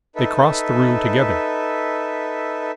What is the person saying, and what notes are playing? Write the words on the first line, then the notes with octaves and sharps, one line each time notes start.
They crossed the room together.
D#4 A4 B4 E5